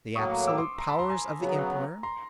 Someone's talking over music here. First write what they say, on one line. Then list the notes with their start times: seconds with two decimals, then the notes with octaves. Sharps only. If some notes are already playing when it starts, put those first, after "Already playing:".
The absolute powers of the Emperor.
0.16 A2 F#3 A#3 C#6 D#6
0.47 D6 E6
0.58 C6 D6
0.78 A#5 C6
0.89 A5 B5
0.99 A#5 C6
1.09 G#5 A#5
1.41 C#3 F#3 B3
2.03 A#5 C6